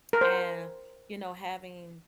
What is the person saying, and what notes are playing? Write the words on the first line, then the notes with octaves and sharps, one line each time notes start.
and, you know, having,
A#4
C5